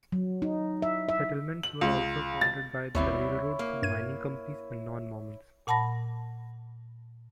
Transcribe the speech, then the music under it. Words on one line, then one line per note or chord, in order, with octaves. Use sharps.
Settlements were also founded by the railroads, mining companies and non-Mormons.
F#3
D#4
E5
E5
F#7
C#2
A6
G#1 D#2 G3 B3 C4 E4 C#5
A#3
G2 G#6 D#7
A#2 F#5 A5 B5 A#6